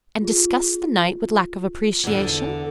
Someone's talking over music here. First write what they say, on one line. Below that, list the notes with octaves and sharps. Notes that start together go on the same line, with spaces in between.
"And disgust the night with lack of appreciation?"
F4 G#4
E2 D3